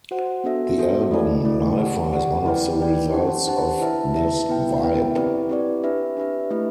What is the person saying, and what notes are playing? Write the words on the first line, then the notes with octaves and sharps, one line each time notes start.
The album 'Lifer' is one of the results of this vibe.
F#4 C5 F#5
B3 D4 F#4 A4 E5
B3 D4 F#4 A4 E5
A3 E4 A4 D5
A3 E4 A4 D5
G4 D5 F#5
G4 D5 F#5
E4 B4 D5 G5
E4 B4 D5 G5
D4 G4 C5 F#5 A5
D4 G4 C5 F#5 A5
E4 B4 E5 A5
E4 B4 E5 A5
B3 E4 B4 E5 G5
B3 E4 B4 E5 G5
C4 E4 G4 B4 D5
C4 E4 G4 B4 D5
D4 G4 B4 E5
D4 G4 B4 E5
A3 E4 G4 B4 E5